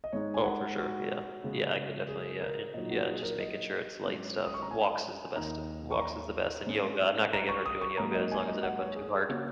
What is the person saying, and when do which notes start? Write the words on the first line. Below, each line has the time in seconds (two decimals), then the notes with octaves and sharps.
Oh, for sure. Yeah. Yeah. I could definitely yeah. And, yeah, just making sure it's light stuff. Walks is the best walks is the best. And yoga, I'm not gonna get hurt doing yoga as long as I don't go too hard.
0.04 D#5
0.12 G#2 G#3 D#4 C#5
0.34 G#5
0.45 F#5
0.78 F#4
1.44 C#3 G#3 C#4
2.08 G#4
2.41 A#4
2.74 A#2 F#3 D#4 D#5
2.91 F#4
3.08 G#4
3.23 A#4
3.40 D#5
4.05 G#2 F#3 C#4
4.45 D#6
4.54 C#6
4.62 A#5
4.71 G#5
5.36 D#2 D#3 A#3 D#4 A#5
5.91 C#6
6.01 A#5
6.67 G#2 G#3 C#4
7.33 A#5
7.49 C#6
7.66 D#6
7.81 C#6
7.98 G#2 F#3 A#3 A#5
8.15 D#5
8.32 G#5
8.48 D#5
8.63 F#5
8.79 C#5
8.96 G#4
9.12 G#4
9.29 C#3 A#3 C#4 F#4